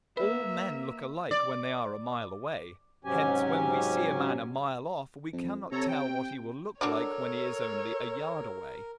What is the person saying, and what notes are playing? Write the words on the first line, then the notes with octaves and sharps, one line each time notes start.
All men look alike when they are a mile away, hence when we see a man a mile off we cannot tell what he will look like when he is only a yard away.
A#3 B4 E5
D5
G#2 C3 F#3 C#4 G4 G#5
F2
C3 A4 C#5 A#5
G5
D4 F#4 A4 A#4 C#5 D5